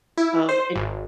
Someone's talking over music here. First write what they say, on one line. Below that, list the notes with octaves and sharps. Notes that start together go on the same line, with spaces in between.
Um, and
E4
C5
G#1